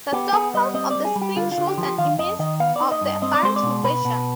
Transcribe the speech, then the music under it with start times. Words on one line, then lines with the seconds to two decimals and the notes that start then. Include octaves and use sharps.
The top half of the screen shows an image of the current location.
0.12 B3 G4
0.33 B3 G#4
0.54 G3 D#5
0.74 C4 D#5
0.91 G3 D5
1.05 G#4
1.16 G3
1.22 G4
1.36 D3 F4
1.52 F4
1.58 D3
1.67 G4
1.78 F3
1.83 G4
1.98 D#3 F5
2.18 F2 D#5
2.39 D#3 D#5
2.60 B3 F5
2.76 D#4 D5
2.92 D#5
3.01 G2
3.07 D#5
3.22 C4 D#5
3.34 D5
3.43 G#3 C5
3.56 D5
3.63 B2
3.83 B2 B4
4.05 B2